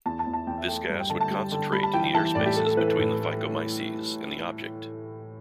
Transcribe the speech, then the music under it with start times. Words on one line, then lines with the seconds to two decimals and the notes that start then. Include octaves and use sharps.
This gas would concentrate in the airspace between the "Phycomyces" and the object.
0.06 E2 A5
0.19 A5
0.26 E2
0.33 A5
0.47 E2 G5
0.58 E5
0.68 A3 G5
0.89 G2
1.00 G5
1.10 D3 A5
1.21 A5
1.31 G3
1.52 D3
1.73 G3 B5
1.83 A5
1.94 E3 G5
2.04 G5
2.14 E3 A5
2.35 A2 D5
2.46 G4
2.56 A3 A4
2.66 A4
2.77 E3 B4
2.88 A4
2.98 A2
3.19 A3